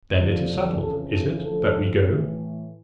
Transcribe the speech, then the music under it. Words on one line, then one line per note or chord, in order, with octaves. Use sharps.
"Then it is settled, is it, that we go?"
F2 D3 F3
F2 C#3 E3 A4
A4
D2 D3 F3 A4
A2 E3